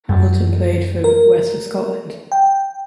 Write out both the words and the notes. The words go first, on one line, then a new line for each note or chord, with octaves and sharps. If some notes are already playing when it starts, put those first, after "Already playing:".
Hamilton played for West of Scotland.
F#2
A#4
G5